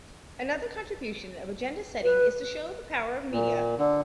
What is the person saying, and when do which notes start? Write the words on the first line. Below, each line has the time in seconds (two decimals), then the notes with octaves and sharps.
Another contribution of agenda-setting is to show the power of media.
2.04 B4
3.32 A#2
3.78 D3